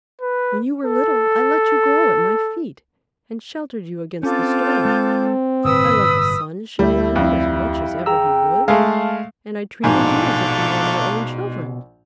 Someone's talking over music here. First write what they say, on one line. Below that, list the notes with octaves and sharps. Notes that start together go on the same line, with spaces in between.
When you were little I let you grow at my feet, and sheltered you against the storm, I let the sun shine on you as much as ever he would, and I treated you as if you were my own children.
B4
A4
C4 C#4 F4 A4 D6 G6
G#3
G1 A2 C3 B4 D#6 E6
D2 G3 E4
F2
G#4 G5 A#5 E6
G#3 A3 F5 A5
A#1 G#2 B2 D3 A3 F5 G#5